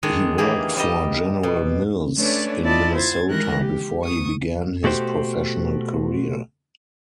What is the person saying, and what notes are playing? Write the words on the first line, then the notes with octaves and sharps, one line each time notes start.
He worked for General Mills in Minnesota before he began his professional career.
D#3 G#3 D4 G#4
E3 A#3 G4 G#4
G3 G4 D#5
B2
A3 C#4 D4 B4 C#5 D5
E4 F4 D5 D#5 A5
C5 G#6 A6
D#3 E3 G#3 A#4 F#6 A#6
G4
C#6 D#6
B2 A3 F#4 G4 C5